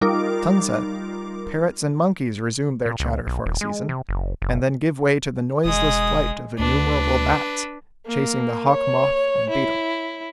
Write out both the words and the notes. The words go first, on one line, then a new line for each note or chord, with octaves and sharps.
At sunset parrots and monkeys resume their chatter for a season, and then give way to the noiseless flight of innumerable bats chasing the hawk-moth and beetle.
G3 D#4 F4 A#4 D6
A#2
C#2
B1
D#1
G#3
C3
F#1
F#1
E1 G#3 D#6
D2 D4 B4
A#3
C#5
E4